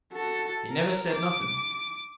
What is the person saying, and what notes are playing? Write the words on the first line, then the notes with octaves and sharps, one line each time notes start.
He never said nothing.
F#4 A4
A#4
D6